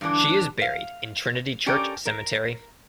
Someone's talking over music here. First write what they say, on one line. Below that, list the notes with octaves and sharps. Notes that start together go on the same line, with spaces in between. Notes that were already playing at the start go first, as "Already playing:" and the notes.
She is buried in Trinity Church Cemetery.
G2 D3 E3 D4
F5
C#4 G4 A4 A#4 D5 G5
A#4